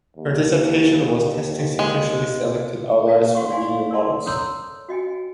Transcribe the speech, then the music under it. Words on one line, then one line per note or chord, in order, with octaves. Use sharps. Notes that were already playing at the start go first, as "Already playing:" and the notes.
Her dissertation was "Testing Sequentially Selected Outliers from Linear Models".
D#2
G#3
C5 D5 E5 F5 A5
F#5 C6 C#6
D5 D#5 F5 G#5 C6
A#4 D5 A5 C6
A4 C5 C#5 A#5 C6 E6
F#4 D#5 G5 G#5